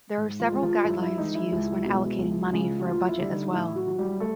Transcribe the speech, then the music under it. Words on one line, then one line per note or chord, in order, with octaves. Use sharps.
There are several guidelines to use when allocating money for a budget as well.
G#2
F3 F4
F3 G#3
F3 F4
G2 E4
E4
E3 G#3 D#4
E4
C#2 E4
B2 G#3
C#2
C#3 F3 G#3
F#4
D2 F3 F4
E4
D3 G3
D#4
A2 E4
F#3 F#4
F#3
G3 G4
A3 A4